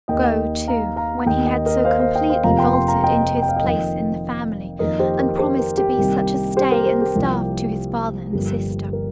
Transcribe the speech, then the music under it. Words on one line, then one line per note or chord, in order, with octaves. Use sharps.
Go, too, when he had so completely vaulted into his place in the family, and promised to be such a stay and staff to his father and sister.
D#2 D#3 A#3 D#5 G5
F5 A#5
F5 A#5
D#2 D#3 A#3 D#5 G5
D#5 G5
A#4 D#5
C5 F5
C5 F5
D#5 G5
C5 F5
F1 F2 C3 F3 A#3 F5 A#5
G5 C6
G5 C6
F5 A#5
D#5 G5
G5
F5
D#5 G5
F2 D#3 A#3
F2 D#3 A#3 A#4 D#5
G4 C5
A#4
G4 C5
A#4
G4
C2 C3 D#3 G3 A#3
G4 C5
A#4
G4 C5
G4
C2 C3 F3 A#3
G1 G2 F3 A#3 G4
A#4